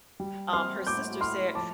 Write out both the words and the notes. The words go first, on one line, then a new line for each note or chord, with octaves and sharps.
um, her sister said,
G3
C4 C6 F6
A2 D6 G6
A2 C6 F6
F3 A5 D6